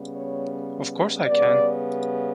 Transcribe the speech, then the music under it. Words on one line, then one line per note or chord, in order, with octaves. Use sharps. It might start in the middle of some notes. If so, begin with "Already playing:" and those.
Of course I can!
Already playing: C#3 G3 B3
C#5
C#3 G3 B3 D5